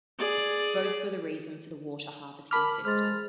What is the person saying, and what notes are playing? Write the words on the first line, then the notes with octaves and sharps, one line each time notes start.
Both were the reason for the water harvesting system.
G#4 D5
A#4 A5 B5 D6 F6
G#3 C5 C6 F6 A6